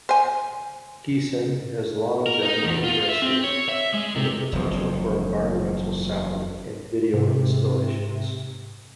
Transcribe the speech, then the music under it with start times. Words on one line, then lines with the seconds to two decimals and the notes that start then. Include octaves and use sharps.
Geesin has long been interested in the potential for environmental sound and video installations.
0.09 C5 G#5
2.26 A#4
2.43 D#4
2.64 E2
2.84 F4
3.09 E5
3.22 C4
3.44 C#5
3.69 E5
3.94 G#3
4.16 C3
4.52 F#1 E2 G#2 F3
7.14 G#2 C3